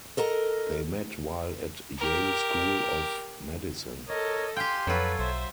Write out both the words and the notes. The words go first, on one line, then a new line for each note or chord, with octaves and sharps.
They met while at Yale School of Medicine.
A4 A#4 D#5 A#5
G4 A#4
A4 A#4 C#5 D#5
G4 F5 G5 G#5 C6
F2 F#3 F4 A4 B4 C#5
B1 C5 E5